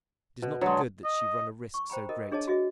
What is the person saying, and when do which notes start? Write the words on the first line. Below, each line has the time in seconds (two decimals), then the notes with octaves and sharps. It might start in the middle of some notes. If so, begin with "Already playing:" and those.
It is not good that she run a risk so great.
0.42 B2
0.61 D3 F#3 G#3 C#5
1.04 D#5
1.74 C#6
1.90 C5 G5 A#5 B5
2.09 A4 A#4 D#5
2.32 D4 G#4 C#5 D#5 A5
2.47 F#4 G#4 D#5 E5